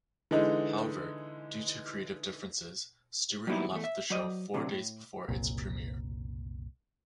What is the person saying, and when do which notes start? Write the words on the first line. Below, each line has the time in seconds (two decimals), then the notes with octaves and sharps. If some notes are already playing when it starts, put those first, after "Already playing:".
However, due to creative differences, Stewart left the show four days before its premiere.
0.31 D3 E3 G#3 D#4
3.47 F#3 G3 A#3 B3 D#4 E4
3.71 E2 A3
3.84 E5
4.10 F#3 C5 D5 D#5
4.54 D2 C3 F#3 D4
4.72 A2
5.28 F#1 C2 A#2